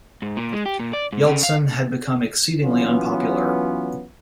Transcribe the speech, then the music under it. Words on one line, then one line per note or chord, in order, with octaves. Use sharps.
Yeltsin had become exceedingly unpopular.
G#2
A#2
G#3
G4
A#2
D5
G#2
C#3
F5
E3 F#3 B3 C#4 F4